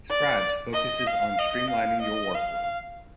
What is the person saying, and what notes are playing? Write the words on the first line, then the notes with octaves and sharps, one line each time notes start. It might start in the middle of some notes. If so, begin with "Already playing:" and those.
Scribes focuses on streamlining your workflow.
D5
D#5
F5
D#5
F5
D#5
F5